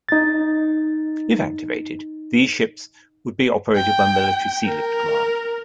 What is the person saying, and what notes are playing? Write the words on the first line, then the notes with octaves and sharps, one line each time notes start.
If activated, these ships would be operated by Military Sealift Command.
D#4 A6
G5
A#4